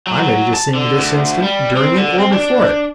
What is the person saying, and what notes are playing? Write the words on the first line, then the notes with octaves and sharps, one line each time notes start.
"I'm ready to sing this instant,--during it, or before it."
F#3
F#3
A5
D3
D2
G3
C4
D3
C4
D4